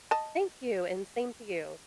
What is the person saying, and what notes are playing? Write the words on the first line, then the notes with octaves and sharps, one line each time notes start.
Thank you, and same to you.
D#5 A5